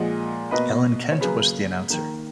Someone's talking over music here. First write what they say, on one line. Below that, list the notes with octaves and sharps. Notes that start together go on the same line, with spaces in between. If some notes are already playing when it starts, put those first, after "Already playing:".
Alan Kent was the announcer.
Already playing: A#2 F3 G#3 D#5 F#5
B2 A#3 B4 D#5
C#5
C#3 F#3 A#3 G#4 B4
D#3 A#3